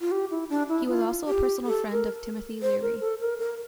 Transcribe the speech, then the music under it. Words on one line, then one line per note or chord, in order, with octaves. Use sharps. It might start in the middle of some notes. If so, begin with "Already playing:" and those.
He was also a personal friend of Timothy Leary.
F4
G4
E4
D4
E4
F4
G4
A4
A#4
C5
A#4
A4
A#4
A#4